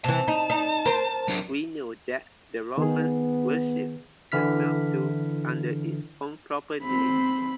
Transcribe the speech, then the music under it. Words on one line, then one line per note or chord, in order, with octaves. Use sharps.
We know that the Romans worshipped the mildew under its own proper name.
C3 E3 A5
D#4
D#4
A#4 C5
F#3 D4
D#3 B3 G#4
D3 E3 E4 F6 B6
C4 B5